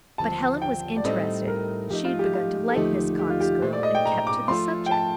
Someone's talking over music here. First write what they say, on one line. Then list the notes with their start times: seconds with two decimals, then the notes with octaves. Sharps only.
But Helen was interested; she had begun to like this Cox girl, and kept to the subject.
0.18 D#2 D3 F3 C4 A5
0.62 G5
0.97 D5
1.04 A2 G3 C4 D#4 A4 D#5
1.48 A#4
1.90 F3 A3 D#4 G4
2.05 F4
2.19 G4
2.34 F4
2.69 A4
2.75 D#2 D3 F3 A3 D#4 G4
3.19 G4
3.30 F4
3.40 G4
3.62 A#2 A3 D#4 A4 C5
3.73 D5
3.83 D#5
3.95 G5
4.05 A#5
4.27 D6
4.48 F3 A3 D4 F4 A4 C6
4.86 G5
4.91 A5